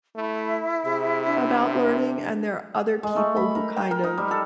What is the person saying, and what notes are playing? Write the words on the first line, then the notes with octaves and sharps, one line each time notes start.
about learning, and there are other people who kind of
A3 E4
C3 G#4
D4
G#3
A3
B5
A#4
G5
A#4
D#4
G3
A4